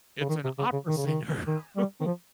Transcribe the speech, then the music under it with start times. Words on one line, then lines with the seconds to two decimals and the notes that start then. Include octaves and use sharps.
it's an opera singer who
0.20 C#3
0.29 D#3
0.44 C3
0.58 C#3
0.73 C#3
0.88 D#3
0.97 C#3
1.06 D#3
1.47 D#3
1.76 G3
2.01 D#3
2.06 F3